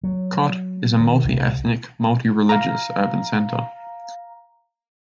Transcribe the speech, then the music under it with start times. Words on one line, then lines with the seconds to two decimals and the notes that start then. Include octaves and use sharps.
Kotte is a multi-ethnic, multi-religious urban centre.
0.03 F#3
1.00 D#3
1.24 C2
2.49 F5 A#5